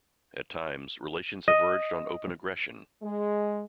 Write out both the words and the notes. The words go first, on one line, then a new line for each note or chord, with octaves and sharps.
At times, relations have verged on open aggression.
D#5
G#3